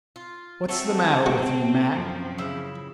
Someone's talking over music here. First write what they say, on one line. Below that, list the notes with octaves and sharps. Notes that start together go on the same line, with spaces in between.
What's the matter with you, Matt?
F4
F#3 A3 C4 A4
G#3 F#4 C#6
F#2 F3
C#3 E4